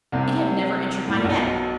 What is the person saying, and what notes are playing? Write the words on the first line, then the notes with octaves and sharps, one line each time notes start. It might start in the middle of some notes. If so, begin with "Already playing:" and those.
It had never entered my head.
C2 C3
A2
A#2
B1 B2